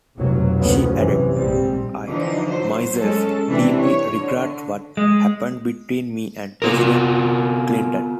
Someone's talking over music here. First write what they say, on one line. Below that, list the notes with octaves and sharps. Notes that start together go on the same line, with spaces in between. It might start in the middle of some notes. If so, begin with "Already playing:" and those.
She added: I, myself, deeply regret what happened between me and President Clinton.
F1 B1 F#3
D2 C3 F3 B3 C#4
F#2 A2 C3 E3
A#1 G#2 G3 C4
D3 E3 F3 D#4
F#3 C5
G#3 C#4 A4
C3 E3 C4 D4 E4
C#5
D3
G#3
B3 F4 A#4